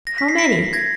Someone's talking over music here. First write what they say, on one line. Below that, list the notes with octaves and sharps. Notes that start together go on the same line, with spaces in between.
How many?
A#6
B6
C7
B6 C#7
G#6 A#6